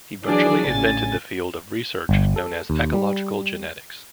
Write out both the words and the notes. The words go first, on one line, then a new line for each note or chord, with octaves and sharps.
He virtually invented the field of research known as ecological genetics.
E3 F#3 D4 F#4 G#4 D5
A1 C#3 G#5 A6
G1
A4
D#2
G3